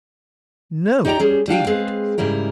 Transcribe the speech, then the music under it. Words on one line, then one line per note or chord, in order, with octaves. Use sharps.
"No, indeed!"
D#4 G4 D5 G5 A#5
G3 C#4 G#4
G3 D4 F5 G5
G#3 C4 G#4 B4 F5
G#2 C#3 G3 E4 A#4